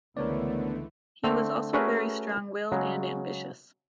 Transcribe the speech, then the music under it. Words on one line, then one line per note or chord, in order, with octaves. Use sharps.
He was also very strong willed and ambitious.
C#2 D3 E3 A3 B3 A#4 C#5 D5
D3 A3 C4
A3 C#4 F#4 G#4 A#4 B4
C#3 F#3 G#3